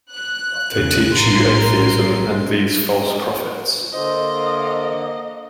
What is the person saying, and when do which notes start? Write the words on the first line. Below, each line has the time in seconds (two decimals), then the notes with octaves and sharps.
They teach you atheism and these false prophets.
0.11 F#6
0.73 E2 C#3
1.15 A#1 A2 A#4 C6 C7
3.93 D3 A#3 C5 D#5